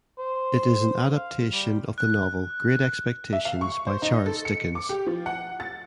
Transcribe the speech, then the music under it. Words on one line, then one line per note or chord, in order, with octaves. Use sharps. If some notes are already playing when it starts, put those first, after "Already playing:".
It is an adaptation of the novel "Great Expectations" by Charles Dickens.
C5
F5
G3
F#6
E5
F5
C#6
C5
D#4
A4
C#7
D6
G4
F3
F#5
A6